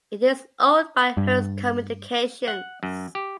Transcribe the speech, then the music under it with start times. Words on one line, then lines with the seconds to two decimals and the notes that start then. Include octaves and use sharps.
It is owned by Hearst Communications.
1.17 G2
2.48 F#5
2.83 F#2
3.15 G4